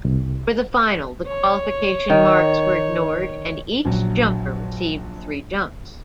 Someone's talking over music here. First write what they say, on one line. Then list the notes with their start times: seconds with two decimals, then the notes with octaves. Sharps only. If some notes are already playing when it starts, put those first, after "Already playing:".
For the final, the qualification marks were ignored and each jumper received three jumps.
0.05 C2
1.27 C#5
2.10 D#3
3.85 A#1 F#3